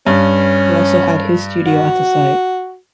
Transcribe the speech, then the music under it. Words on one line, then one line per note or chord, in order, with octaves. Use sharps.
He also had his studio at the site.
G2 C#4
F#4